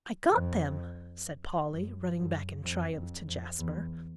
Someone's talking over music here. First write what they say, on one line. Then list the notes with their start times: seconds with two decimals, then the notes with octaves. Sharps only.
"I got them," said Polly, running back in triumph to Jasper.
0.32 F2
1.71 F#2
2.18 F#2
2.64 F2
2.96 F2
3.27 F2
3.58 E2